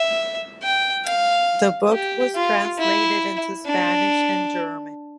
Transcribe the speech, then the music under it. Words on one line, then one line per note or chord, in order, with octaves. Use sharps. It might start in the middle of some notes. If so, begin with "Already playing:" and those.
The book was translated into Spanish and German.
Already playing: E5
G5
F5
G4
F4
E4
D4